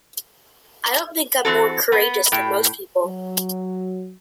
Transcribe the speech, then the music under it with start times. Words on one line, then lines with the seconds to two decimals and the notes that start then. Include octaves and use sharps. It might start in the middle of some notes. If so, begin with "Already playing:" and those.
I don't think I'm more courageous than most people.
1.45 E3 C4 F#4 A4
1.92 B3
2.32 A2 G5
3.06 F#3